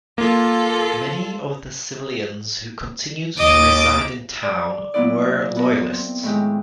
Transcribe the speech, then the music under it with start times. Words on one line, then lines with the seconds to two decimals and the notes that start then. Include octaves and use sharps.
Many of the civilians who continued to reside in town were Loyalists.
0.18 A#3 F4 A4
3.38 D#2 D#5 D6 A6
4.42 D5 D6
4.94 F#3 A#3 B3 E4 F4 D5
5.56 B3 A#4
5.93 C4
6.23 A2 D#3 G#3 G4